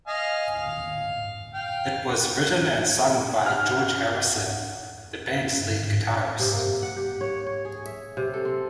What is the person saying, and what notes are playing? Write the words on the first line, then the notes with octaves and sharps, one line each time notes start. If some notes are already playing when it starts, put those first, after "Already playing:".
It was written and sung by George Harrison, the band's lead guitarist.
D#5 F5 G#5
F5
F5 G5
F#5 F6
C3
A#3
F#5
G4
C#5
C#5
G#4
E5
C3
A4
C4